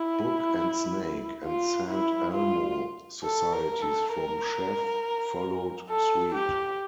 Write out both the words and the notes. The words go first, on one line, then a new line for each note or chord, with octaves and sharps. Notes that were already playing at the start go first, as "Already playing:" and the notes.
Book and Snake and Saint Elmo societies from Sheff, followed suit.
Already playing: E4
F4
E4
F4
A4
A#4
A4
A#4
A4
G4